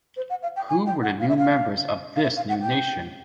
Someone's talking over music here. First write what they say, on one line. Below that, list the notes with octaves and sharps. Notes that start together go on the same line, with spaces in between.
Who were the new members of this new nation?
C5
F#5
F5
G5
G#5
G5
F#5
F5
E5
F5
F5
E5
F5
F#5
G5